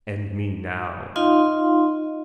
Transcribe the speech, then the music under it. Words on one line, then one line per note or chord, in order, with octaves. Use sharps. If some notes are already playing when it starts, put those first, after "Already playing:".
And me now.
D#4 F4 D#5 F5 C6